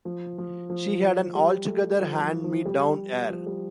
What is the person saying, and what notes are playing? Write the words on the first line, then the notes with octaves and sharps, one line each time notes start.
She had an altogether hand-me-down air.
F3
F3
F3
G3
A3
F3
F3
F3
G3
F3
G3